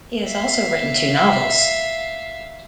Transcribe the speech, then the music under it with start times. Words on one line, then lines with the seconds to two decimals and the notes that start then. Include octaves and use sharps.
He has also written two novels.
0.24 E5 F5